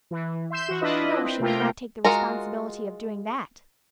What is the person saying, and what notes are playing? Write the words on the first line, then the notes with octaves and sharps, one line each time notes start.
No, she could not take the responsibility of doing that!
E3
E5 C6 G6 E7
E3 F#4
D4 E4 F4 B4 D#5
C4 B4
C3 A3 A#3 F4 A#4 G5
G#3 F4 F#4 A#4 A#5